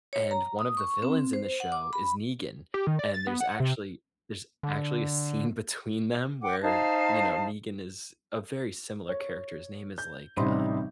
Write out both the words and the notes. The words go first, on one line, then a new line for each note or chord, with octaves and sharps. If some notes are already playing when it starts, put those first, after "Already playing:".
and one of the villains in the show is Negan and there's actually there's actually a scene between them where, you know, Negan is a very similar character. His name is like, um,
C#5
A#5
D#6
C#6
C4
C5
F#5
D6
B5
G4
D#3
D5
A6
B3
F#5
C3
D3
F#5 G5 D6
D#4 C5 F5 A5
C#5
G6
A1 C3 G3 D#4 B5 C6